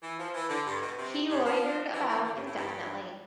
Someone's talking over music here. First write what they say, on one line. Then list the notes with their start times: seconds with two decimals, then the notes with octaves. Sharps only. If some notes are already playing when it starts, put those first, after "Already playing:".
He loitered about indefinitely.
0.02 E3
0.18 F3
0.34 E3
0.49 D3
0.65 G2
0.81 B2
0.97 C3
1.29 G2
1.45 F3
1.92 E3
2.08 E3
2.24 D3
2.34 G2
2.45 A2
2.55 G2